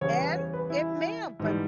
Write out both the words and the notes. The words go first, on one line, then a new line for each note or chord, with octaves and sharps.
And it may have, but
E2 C#3 G3 C#5
C#5
B4
C#5
B4
E4
G#2 E3 G3